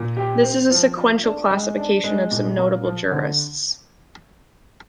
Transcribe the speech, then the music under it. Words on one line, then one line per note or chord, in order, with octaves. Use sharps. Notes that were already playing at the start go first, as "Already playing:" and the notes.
This is a sequential classification of some notable jurists.
Already playing: A#2
G4
C4
F3
F4
D4
G#3
D4
G#3
A#2
A#3
F3
D3